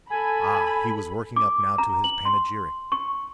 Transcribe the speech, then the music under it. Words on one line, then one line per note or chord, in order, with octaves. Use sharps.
Ah! he was working up now to his panegyric!
A4 G#5 B5
D6
A#5
F#7
C6
C#6